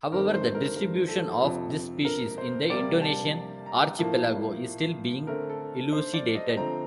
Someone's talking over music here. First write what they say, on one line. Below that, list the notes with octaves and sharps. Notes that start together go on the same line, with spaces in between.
However, the distribution of this species in the Indonesian archipelago is still being elucidated.
G2 D#3 A3 C4 A#4
C5
A#4
A#4
A4
F2 C3 F3
A#4
C5
C3 G3 A#3 D5
A5
A#5
A2 F3 A#3 A5
D3 A3 C4 A#4
A4
C5
D5
D#5
D3 F3 A3 C4 A#5